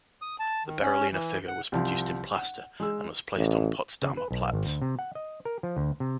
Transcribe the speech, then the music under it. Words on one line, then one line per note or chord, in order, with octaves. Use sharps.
The Berolina figure was produced in plaster and was placed on Potsdamer Platz.
D#6
A5
D#3
C#4
E3
F#5
C2 F3
F#5
G#3 E6
A1
C#3
B4
B1
G#1
D2
C3
F#5
D#5
A#4
F3
D2
C3